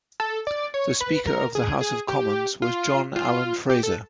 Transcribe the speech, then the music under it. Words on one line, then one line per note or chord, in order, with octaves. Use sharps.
The speaker of the House of Commons was John Allen Fraser.
A4
D5
C#5
B4
A#4
G#4
G#4
G4
F4
F4
G4
A4